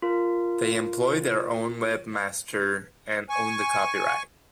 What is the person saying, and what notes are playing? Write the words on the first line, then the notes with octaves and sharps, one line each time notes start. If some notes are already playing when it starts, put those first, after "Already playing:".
They employ their own webmaster and own the copyright.
F4 A#4
G#5 C#6